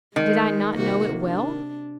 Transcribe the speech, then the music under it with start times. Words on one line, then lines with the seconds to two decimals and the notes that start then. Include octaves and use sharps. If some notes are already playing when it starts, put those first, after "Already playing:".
Did I not know it well?
0.16 D#3 G#3
0.77 C3 A#3 F#4
1.20 D4